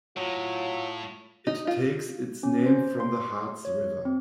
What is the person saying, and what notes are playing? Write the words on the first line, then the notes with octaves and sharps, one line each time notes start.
It takes its name from the Harts River.
A2 F#3 F4
D#4
F4
C#4
C5
C6
C#5
C4